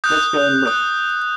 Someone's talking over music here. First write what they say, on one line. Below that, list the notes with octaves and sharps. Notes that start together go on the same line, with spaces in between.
Let's go and look.
D#6 F#6 G6
D#6 F#6